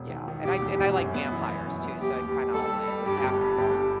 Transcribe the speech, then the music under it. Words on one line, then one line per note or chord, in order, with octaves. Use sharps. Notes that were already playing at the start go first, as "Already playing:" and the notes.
yeah, and I j and I like vampires too, so it kinda all went, it was apropos.
Already playing: E1
D#3
D#3
E1 G4
E2
E1
F#2
B3
E3
B3
F#2
B3
D#2 G4
D#2
D#2
G3 A4
G3
G3
G2 G4
G1
G2
G1 G4
G2